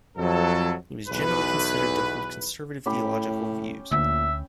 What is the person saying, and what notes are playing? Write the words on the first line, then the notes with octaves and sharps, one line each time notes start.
He was generally considered to hold conservative theological views.
F2 F#3 A4
B1 E2 B4
A2 C#4 G4 B5
D2 A#2 E5